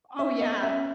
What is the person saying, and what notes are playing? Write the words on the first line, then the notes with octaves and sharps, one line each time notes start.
Oh yeah,
C#4 E5
B3 D#5
C#4 E5